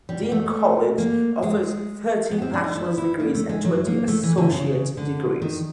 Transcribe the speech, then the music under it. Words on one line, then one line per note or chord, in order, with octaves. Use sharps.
Dean College offers thirteen bachelor's degrees and twenty associate degrees.
G3
A#3
A3
A#3
G#3
B3
C4
D4
D#4
E4
E4
A#3
A3
G#3
F#3
A#3
A3
E3
D3
C#3
D3
D#3